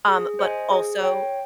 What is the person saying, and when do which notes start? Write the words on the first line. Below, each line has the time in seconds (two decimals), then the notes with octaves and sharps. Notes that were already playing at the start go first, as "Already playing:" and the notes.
Um, but also
0.08 G#4
0.39 C5 D#5 G#5
0.70 G#4
1.00 C#5 G5